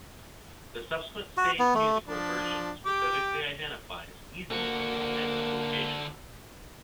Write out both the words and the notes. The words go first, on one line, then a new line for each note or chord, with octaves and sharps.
The subsequent stage musical version specifically identifies Easington as its location.
F#4
B3
A3
F3 D4
G4 G5 D6
D3 A#3 F#4